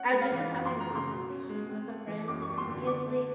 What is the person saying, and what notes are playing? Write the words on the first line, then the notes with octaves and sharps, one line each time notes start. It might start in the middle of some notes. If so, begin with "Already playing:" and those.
I just was having a conversation with a friend previously
Already playing: C#4 F#5
G#3
F5
E3 F5
F#2
F3 C6
A#5
C#3 C6
B2
C#4
G#3
C4
A3
E3
F#2 D6
C#6
G3
C6
D3
D4 D6
A3